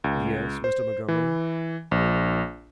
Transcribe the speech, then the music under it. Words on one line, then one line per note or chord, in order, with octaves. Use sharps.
"Yes, Mr. Montgomery?"
C#2
C5
E3
A#1